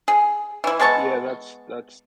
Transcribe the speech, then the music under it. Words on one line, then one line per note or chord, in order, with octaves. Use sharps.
Yeah, that's that's
G#4
E3 E4
G#3 B3 A5 C#6